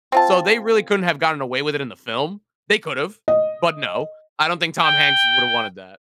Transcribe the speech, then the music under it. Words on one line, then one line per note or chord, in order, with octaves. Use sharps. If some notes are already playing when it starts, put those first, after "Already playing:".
So, they really couldn't have gotten away with it in the film. They could have, but no. I don't think Tom Hanks would have wanted that.
C4 F4 A5
D#5
G5